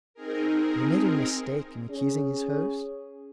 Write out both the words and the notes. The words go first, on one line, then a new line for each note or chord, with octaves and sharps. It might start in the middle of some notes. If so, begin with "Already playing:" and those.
Had he made a mistake in accusing his host?
C4 D#4 G#4 A#4
C#4 G#4